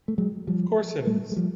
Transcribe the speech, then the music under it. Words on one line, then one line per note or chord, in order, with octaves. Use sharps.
Of course it is!
A3
F#3 G#3
F3 G3
G3 A3
G#3
F3 G3